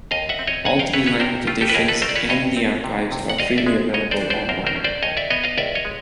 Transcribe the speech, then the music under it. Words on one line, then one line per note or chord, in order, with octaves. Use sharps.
All three language editions and the archives are freely available online.
D#2 D#5 F5
E5 F#5
C4
C#5 D#5
F2 F#5 G#5
F5 G5
A3 B4 C#5
B4 C#5
C3 A#4 C5
A3 F4 G4
G4 A4
B4
D#2 G#4 A#4
A4 B4
A3 A#4 C5
D5
B4 C#5
G2 C#5 D#5
C4
C3
C3
F#5
C2 D#5 F5
D5 E5
G#3
C#3 C#5 D#5
C5 D5
D4
C5 D5
F#2 A#4 C5
A#4 C5
C#4
C5 D5
D#2 C#5 D#5
D5 E5
B3 C#5 D#5
D#5 F5
C#2 D5 E5
C#5 D#5
G#3